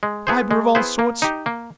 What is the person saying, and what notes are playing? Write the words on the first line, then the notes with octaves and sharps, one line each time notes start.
Fibre of all sorts.
G#3
B3 E4 G#4 C5
G#3
B3 E4 G#4 C5
A#3
D#4 G4
A#3